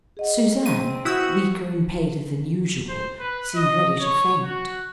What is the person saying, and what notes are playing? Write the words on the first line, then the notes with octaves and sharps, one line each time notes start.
Suzanne weaker and paled than usual, seemed ready to faint.
G#4 D#5 F#5
C4 D#7
B3 C4 E4 F#4 D#6 E6 F#6 G6
C5
B4
D#5
C#5
F#4